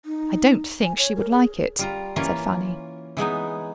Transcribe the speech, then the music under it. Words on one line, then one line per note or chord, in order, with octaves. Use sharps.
"I don't think she would like it," said Fanny.
D#4
G#5
C#5
A#4
G#4
G3 F4 A#5
E3 A#3 C#4 F4 A#4
E3 G#3 B3 D#4